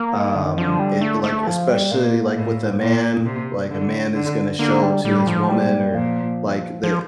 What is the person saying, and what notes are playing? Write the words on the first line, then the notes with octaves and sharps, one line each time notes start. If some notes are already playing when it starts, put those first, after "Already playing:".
um, it like, especially, like, with a man, like a man is gonna show to his woman or, like, the
Already playing: A#3
D#3
D3
D#3
D3 F3
G3
A3
A3
F3
G3
A#2 A#3
A2
A#2
C3
D3 A3
A#3
D3
D3 A#3
G3
A2 G3
F3
A#2 G3
A#2 F3
F3